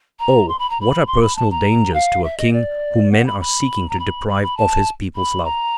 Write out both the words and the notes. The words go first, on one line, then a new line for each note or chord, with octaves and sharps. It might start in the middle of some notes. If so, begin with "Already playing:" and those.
Oh! what are personal dangers to a King whom men are seeking to deprive of his people's love?
A#5
C6
B5
A#5
B5
C6
B5
A5
A#5
F5
E5
D#5
D5
F#5
B5
B5
A#5
B5
B5
B5
A5
B5
A#5